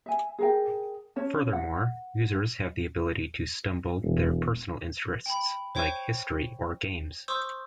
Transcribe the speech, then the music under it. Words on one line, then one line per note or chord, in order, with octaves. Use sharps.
Furthermore, users have the ability to stumble their personal interests like "History" or "Games".
E5 G#5
G#4 A#4 G5
C#4 C#5 A5
F#5
E1
G5 B5
C5 C#5 G5 C#6
C5 C6 C#6 D#6 E6 G6